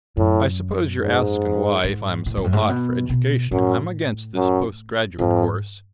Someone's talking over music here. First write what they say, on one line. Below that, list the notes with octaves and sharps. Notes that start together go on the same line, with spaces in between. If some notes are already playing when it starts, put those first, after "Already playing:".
I suppose you're asking why, if I'm so hot for education, I'm against this post-graduate course.
F#2 A2
G#2
G#2
A2
F2
F#2
G#2
A2
B2
B2
F#2 A2
F#2
F2 G#2